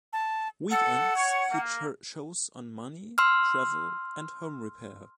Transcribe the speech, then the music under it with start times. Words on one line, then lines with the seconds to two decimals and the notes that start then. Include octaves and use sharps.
Weekends feature shows on money, travel and home repair.
0.13 A5
0.71 A4 F#5
1.16 C#5
1.51 A#3
3.18 C6 E6 F6